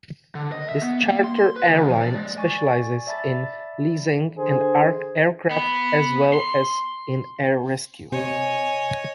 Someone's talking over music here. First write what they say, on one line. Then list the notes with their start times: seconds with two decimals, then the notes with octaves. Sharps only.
This charter airline specializes in leasing and aircraft as well as in air rescue.
0.35 D3
0.52 D#5
0.69 E5
0.82 B3
1.03 A#3
1.24 C6
1.56 B4
1.69 D2
1.89 F3
2.01 D5
2.15 G#3
2.36 D5 G#5 C#6 A6
3.07 D5 E5 A5 B5 A6
4.36 D3 G#4 C5
5.51 B3
6.33 C6
8.12 C3 C#5 D#5 G#5